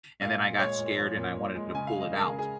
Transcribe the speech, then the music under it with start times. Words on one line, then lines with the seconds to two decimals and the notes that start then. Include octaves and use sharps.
and then I got scared and I wanted to pull it out,
0.21 A#2 F5
0.40 A#2
0.59 G#3 C#5
0.78 A#2
0.98 F3
1.17 A#2
1.36 A#2
1.55 G#3
1.75 C#3 G#5
1.87 F5
1.94 G#3
2.00 D#5
2.13 C#3 A#4
2.26 G#4
2.32 C#3
2.39 G#4